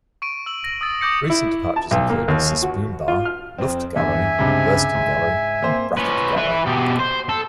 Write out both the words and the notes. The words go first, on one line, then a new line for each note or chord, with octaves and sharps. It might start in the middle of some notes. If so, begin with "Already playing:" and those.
Recent departures include Sis Boom Bah, Luft Gallery, Burston Gallery and Brackett Gallery.
C#6 D7 D#7
E6 F#7
A#6
D#6 E6 A6
D6 D#6 G6 A#6 C#7
E4
A5
B1
A#3
D#2
F#4
F4
F6
F2 C4
E2 G2 E5 G#5
C#2 G2 C3
G#2
A#3 C4 C5
C#4 B4
E4 B4
B2 G4
C5
A4